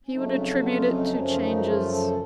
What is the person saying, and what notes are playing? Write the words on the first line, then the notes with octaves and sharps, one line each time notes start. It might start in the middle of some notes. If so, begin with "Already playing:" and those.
"He would attribute it to changes . . ."
C#4
F2 C#3 F#3 A3 D#4
C#4
D#4
F#4
F4
D#4
F#2 C#3 F3 A3 C#4
F4
D#4
F#4
F4
A4